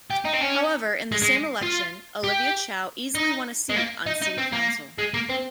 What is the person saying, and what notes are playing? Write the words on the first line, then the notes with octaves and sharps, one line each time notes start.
However, in the same election Olivia Chow easily won a seat on city council.
G4
D#4
C4
C#4
G#3
G#3
F4
G4
D#4
G#3
A#3
D#4
D#4
C4
A#3
G#3
A#3
C4